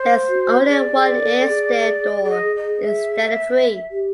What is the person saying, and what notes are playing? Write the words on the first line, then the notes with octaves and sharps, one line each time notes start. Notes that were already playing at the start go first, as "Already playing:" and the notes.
There is only one airstair door, instead of three.
Already playing: C5
F#4
G#4 D5
G#4
A#4
A4
G#4
D5
D#5
D#5
E5
G4